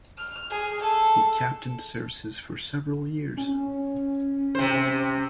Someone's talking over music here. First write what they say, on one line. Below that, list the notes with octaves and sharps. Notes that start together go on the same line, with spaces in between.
He captained Services for several years.
F6
G#4
A4
C#4
C3 C5